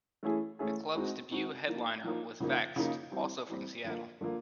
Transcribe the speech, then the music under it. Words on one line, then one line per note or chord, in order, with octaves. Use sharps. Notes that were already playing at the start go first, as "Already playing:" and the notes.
The club's debut headliner was Vexed, also from Seattle.
E3 A3 C#4 E4 G#4
E3 A3 C#4 E4 G#4
G#3 C4 D#4 F#4
G#3 C4 D#4 F#4
F3 A#3 D#4
F3 A#3 D#4
C#3 F3 A#3 D#4
C#3 F3 A#3 D#4
E3 G3 C4
E3 G3 C4
D3 F3 A#3
D3 F3 A#3